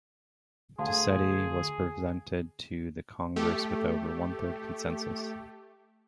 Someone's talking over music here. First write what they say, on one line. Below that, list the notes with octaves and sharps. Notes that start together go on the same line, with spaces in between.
Dossetti was presented to the Congress with over one third consensus.
D2 G#4 F5 A5 C6
A3 G4